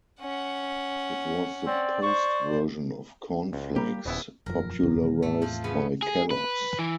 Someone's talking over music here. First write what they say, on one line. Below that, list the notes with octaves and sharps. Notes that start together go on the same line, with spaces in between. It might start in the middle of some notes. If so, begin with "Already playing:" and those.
It was the Post version of corn flakes, popularized by Kellogg's.
C#4 F#5
C4 D5
C5 C#6
C#2
G3 A#3 G4
D#1 C#3 B3 E4
E1 F#2 F3 A#4
E1 C#2 F#2
B2 D#3 G#3
E2 A2 A3 C4
F3
C#3 B3
G#4
B4
E3